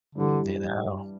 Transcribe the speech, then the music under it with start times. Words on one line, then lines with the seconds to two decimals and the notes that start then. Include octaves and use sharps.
You know?
0.15 G2 D3 E3 G3